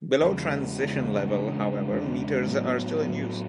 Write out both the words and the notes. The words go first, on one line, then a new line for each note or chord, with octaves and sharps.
Below transition level, however, meters are still in use.
E2 C#3 E3 G#3
E2 C#3 E3 G#3
E2 C#3 G#3 D4
E2 C#3 G#3 D4
A2 F#3 B3
A2 F#3 B3